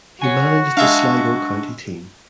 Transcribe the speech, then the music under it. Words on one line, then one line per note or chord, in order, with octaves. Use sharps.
He managed the Sligo county team.
F#4 C#5 F#5 G#5
G#3 D4 E5 F5